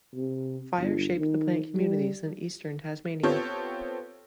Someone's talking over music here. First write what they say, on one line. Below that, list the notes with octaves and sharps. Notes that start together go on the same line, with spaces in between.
Fire shaped the plant communities in eastern Tasmania.
C3
G1
D#3
G3
B3 C4 F4 G4 A4 C#5